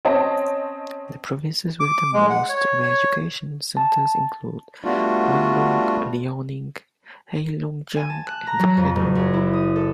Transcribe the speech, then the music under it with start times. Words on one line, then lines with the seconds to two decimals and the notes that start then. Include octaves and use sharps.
The provinces with the most re-education centers include Guangdong, Liaoning, Heilongjiang, and Henan.
0.05 C4 C#4 D#5 A5
1.80 D6
2.13 G#3
2.30 F#5
2.49 C#5
2.82 C#5
3.77 A5
4.84 G3 A3 B3 D4 F4 F#4
7.96 G#5
8.10 A5
8.27 F#6
8.47 A#5
8.59 F#3
8.77 F2
8.96 F#1
9.15 F#2
9.33 E4
9.53 D#6
9.76 A4